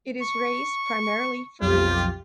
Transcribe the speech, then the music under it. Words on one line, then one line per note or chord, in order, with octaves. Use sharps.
It is raised primarily for meat.
C#6
B1 F2 F4 G4